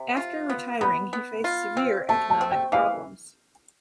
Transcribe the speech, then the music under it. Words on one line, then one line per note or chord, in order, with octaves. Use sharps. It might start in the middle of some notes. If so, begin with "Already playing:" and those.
After retiring, he faced severe economic problems.
Already playing: C3
F4
B3
B3 B5
B3
F4
C4
A3 A5
A5
C4
G5
E3 F5